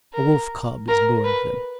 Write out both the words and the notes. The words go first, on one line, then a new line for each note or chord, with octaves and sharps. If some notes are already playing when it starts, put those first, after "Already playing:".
A wolf cub is born to them.
A#4
A#4
B4